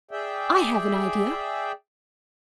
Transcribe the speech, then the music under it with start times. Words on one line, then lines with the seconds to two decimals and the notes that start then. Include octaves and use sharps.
I have an idea.
0.11 G#4 D5 E5 G5